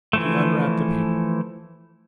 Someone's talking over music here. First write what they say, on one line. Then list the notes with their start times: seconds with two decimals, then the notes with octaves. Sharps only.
He unwrapped the paper.
0.13 E3 F3 A3